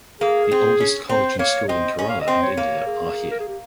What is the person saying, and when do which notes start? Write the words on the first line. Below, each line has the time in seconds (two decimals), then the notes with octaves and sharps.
The oldest college and school in Kerala and India are here.
0.21 A#3 G#4
0.52 C4
0.80 C#4
1.09 C4 C5
1.39 A#3 C#5
1.68 C4 D#5
1.99 C#4 D#5
2.09 F5
2.21 D#5
2.28 C4
2.42 C#5
2.57 A#3
2.86 G#4
3.31 A#4
3.40 G#4
3.48 G4